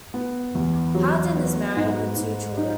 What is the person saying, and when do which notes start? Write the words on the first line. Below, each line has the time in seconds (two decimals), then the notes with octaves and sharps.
Hardin is married, with two children.
0.14 B3
0.55 E2
0.95 F#3
1.35 B3
1.76 G#2
2.16 G#2
2.57 D#4